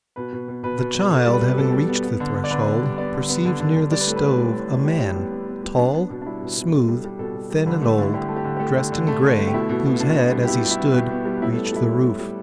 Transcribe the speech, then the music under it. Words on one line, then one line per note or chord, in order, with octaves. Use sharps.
The child having reached the threshold, perceived near the stove a man, tall, smooth, thin and old, dressed in gray, whose head, as he stood, reached the roof.
B2 B4
B2
B2
B2 B4
B2
B2
B2 A4
D5
G3
B4
B2
B2 A4
G3
B3
B3
D3
D3
D5
D3 B4
D3
G3
B3 D5
D3
B3
D3
D3
D3
G3 D5
B4
A2 A4
B4
A2
A2
A2
A2
A2 G4
G3
B3
B3
B3
G3
B3 D4
B3
B2
D4
G3 E4
B2
B2
B2 A4
G3
G3
B2 A4
B2
G3
D3 B4
A3
A4
D3 E4
D3 G4
A3
G4
D3
G4
A3 A4
D3
D3
A3
D3
A3
G4
B2 E4
B2
B3
B2 D4
B3
G3
G4
B2 E4
G3
E4
B3
B2 G4
B3
G3
A2 E4
A4
B3
A4
G3 E4
A2
G3
G3